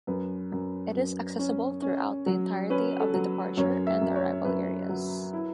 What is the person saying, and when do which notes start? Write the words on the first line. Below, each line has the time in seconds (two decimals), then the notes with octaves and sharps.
It is accessible throughout the entirety of the departure and arrival areas.
0.07 F#2 B4
0.52 F#2
0.95 F#2
1.39 C#4
1.82 C#4
2.26 F#3
2.70 C#4 B4
3.00 A4
3.14 F#3
3.57 F#2 C#5
3.87 E5
4.01 F#2
4.16 C#5
4.45 F#2 B4
4.89 F#3
5.33 E4